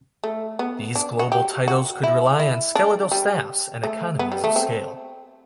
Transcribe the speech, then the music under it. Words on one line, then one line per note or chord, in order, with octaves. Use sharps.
These global titles could rely on skeletal staffs and economies of scale.
A3
B3
D4
F#4
G4
F#4
E4
E4
D4
G3
A3
B3
G3
A3
C4